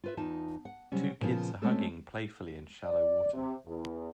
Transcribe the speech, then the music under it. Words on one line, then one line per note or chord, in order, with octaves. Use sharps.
Two kids are hugging playfully in shallow water.
F4 B4 E5
E2 D#4 F4 A5
F#5
C3 F#3 G3 C#4
A#2 C#3 F3 B3 F4
G#3 A3 C4 C#4 F#4 A4
D5
C3
E2